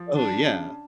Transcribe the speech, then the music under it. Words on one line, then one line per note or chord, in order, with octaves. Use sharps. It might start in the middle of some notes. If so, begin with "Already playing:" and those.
Oh, yeah.
Already playing: F3
C#3 D4
C#3